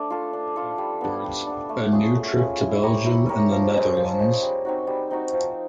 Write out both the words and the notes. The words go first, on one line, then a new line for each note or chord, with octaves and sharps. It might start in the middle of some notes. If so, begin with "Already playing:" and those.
Afterwards, a new trip to Belgium and the Netherlands.
Already playing: A3 D4
F4 A4
D4
F4 A4
G3
B3 D4
G3
B3 D4
A3
C#4 F4 G#4
A3
C#4 F4 G#4
E4
G4 A#4 C#5
E4
G4 A#4 C#5
F3
G#3 C#4
F3
G#3 C#4
G3
C4 D#4 F#4
G3
C4 D#4 F#4
F3